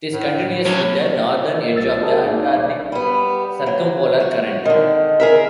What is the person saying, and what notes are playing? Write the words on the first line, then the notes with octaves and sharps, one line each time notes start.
It is continuous with the northern edge of the Antarctic Circumpolar Current.
A2
A2 F#3 C#4
C2 E6 A6
F#4 G#4 A#4 A5
D#4 D5
B1 D5 F5
G3 B3
F#3
F#4
D3 D#3
G#4 A#4 E5